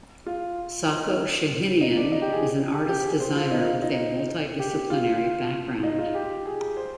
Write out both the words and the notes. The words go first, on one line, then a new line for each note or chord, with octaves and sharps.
Sako Shahinian is an artist designer with a multi disciplinary background.
F4
D#4
D#4
D4
D#4
G4
G#4
G4
G4
G#4
C5
F4
D#4
F4
D#4
G4
F4
D#4
F4
G4
G#4
C5